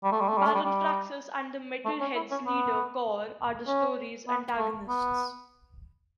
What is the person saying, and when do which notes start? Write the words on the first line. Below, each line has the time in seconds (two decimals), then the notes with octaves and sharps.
Baron Praxis and the Metal Heads' leader Kor are the story's antagonists.
0.04 G3
0.12 A3
0.21 G3
0.29 A3
0.38 G3
0.46 A3
0.54 G3
0.65 G3
1.85 A3
2.01 C#4
2.15 E4
2.31 C#4
2.46 B3
3.67 C#4
4.28 B3
4.58 A3
4.88 B3